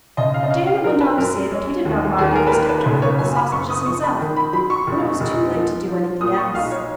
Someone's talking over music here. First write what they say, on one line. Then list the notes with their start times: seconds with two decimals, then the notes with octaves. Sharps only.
But Daniel went on to say that he did not mind if he stepped over with the sausages himself, when it was too late to do anything else.
0.17 C#3 D#5
0.34 F5
0.43 D#5
0.51 C#4 F5
0.67 F5
0.84 F#3 A#4
1.01 B4
1.18 F#2 A#4
1.51 C#4
1.85 D#2
2.18 D#2 G#4
2.31 G#4
2.36 A#4
2.47 B4
2.52 D#3 A#4
2.69 B4
2.86 C#3
2.94 B4
3.02 C#5
3.19 F#2 G#5
3.36 B5
3.52 F#1 C#6
3.70 D#6
3.86 F3 C#6
4.03 B5
4.19 D#3
4.37 B5
4.53 F#3 B5
4.70 C#6
4.87 F1
5.20 F1
5.54 F3
5.87 F3
6.20 A#2 D#6
6.38 C#6
6.54 B1 F5
6.71 C#5